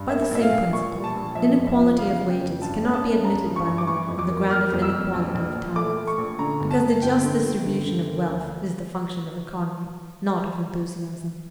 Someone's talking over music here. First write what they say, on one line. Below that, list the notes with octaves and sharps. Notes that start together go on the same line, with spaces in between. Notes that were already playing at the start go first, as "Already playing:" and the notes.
By the same principle, inequality of wages cannot be admitted by law on the ground of inequality of talents; because the just distribution of wealth is the function of economy,--not of enthusiasm.
Already playing: G2
A#3 E5
A#1 E5
F5
A#1
A#2 C#6
G3
A5
A#1
F3 E5
F2
E5
F3
C#3 F5
C#3
G5
F2
G2 A5
C#4
A5
C#4
G2 A#5
F3
C#6
G2
D6
E3 C#6
F2
D6
A#3
A#3 F6
F2
E6
F2
A#1
A#1
A#1
A3 D6
A3
C#6
A#1
D3 A#5
G1
A5
G1
G1 G5
D3
G1
D3
D3
A#3
D2